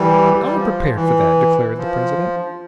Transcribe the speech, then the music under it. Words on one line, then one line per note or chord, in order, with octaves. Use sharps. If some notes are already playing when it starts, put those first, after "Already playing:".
"We are prepared for that," declared the president.
Already playing: E3 G3
G3
F3
E3
F3